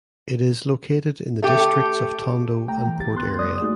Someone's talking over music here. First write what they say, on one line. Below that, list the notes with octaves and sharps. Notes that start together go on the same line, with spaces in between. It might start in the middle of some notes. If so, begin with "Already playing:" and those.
It is located in the districts of Tondo and Port Area.
A3 G4
C2 A3 G5 A#5
E3
G4 A6
D2 B3 C6 F#6
F2 G3 D5 D#6
A3 A#3 D#4 F#4 G#4